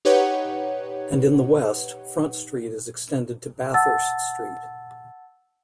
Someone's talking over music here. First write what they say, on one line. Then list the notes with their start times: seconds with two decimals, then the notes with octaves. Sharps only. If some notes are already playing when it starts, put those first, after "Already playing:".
And in the west, Front Street is extended to Bathurst Street.
0.05 D#4 G4 B4 C#5 F#5
3.74 F#5 A5 E6 A6